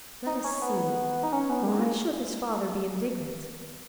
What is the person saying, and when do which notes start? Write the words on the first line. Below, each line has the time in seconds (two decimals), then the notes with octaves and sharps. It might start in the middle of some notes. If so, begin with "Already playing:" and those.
Let us see, why should his father be indignant?
0.26 D#4
0.44 C#4
0.62 B3
1.23 D#4
1.33 C#4
1.50 B3
1.63 G3
1.68 G#3
1.79 A#3